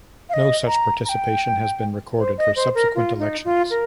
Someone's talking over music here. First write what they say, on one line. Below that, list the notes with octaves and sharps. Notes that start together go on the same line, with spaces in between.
No such participation has been recorded for subsequent elections.
F5
D#5
A#5
A#5
G5
C5
D#5
C5
A#4
F4
D#4
F4
A#4